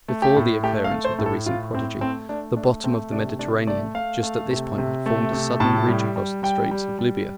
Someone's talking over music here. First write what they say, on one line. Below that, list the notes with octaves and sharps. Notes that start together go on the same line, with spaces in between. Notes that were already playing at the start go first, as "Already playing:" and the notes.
Before the occurrence of the recent prodigy, the bottom of the Mediterranean just at this point had formed a sudden ridge across the Straits of Libya.
A3
G4
A2
A3 G4
F5
A3
C5
A2
A4
A2 F4
A2 C4
A3 C4
A3 D4
A3 D4
A3 C4
C3 D4
A3 D4
A3 D5
A3 F5
A3
C3
C3
A3
C3
A2 A5
G3
G3
G3 G5
G3
G3